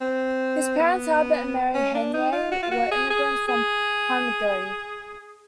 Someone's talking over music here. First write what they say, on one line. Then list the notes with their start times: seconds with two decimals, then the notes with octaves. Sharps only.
His parents, Albert and Mary Henyey, were immigrants from Hungary.
0.01 C4
0.79 B3
1.74 C#4
1.94 D4
2.14 D#4
2.32 F4
2.52 F#4
2.63 F4
2.71 F#4
2.91 G#4
3.10 G#4
3.48 G#4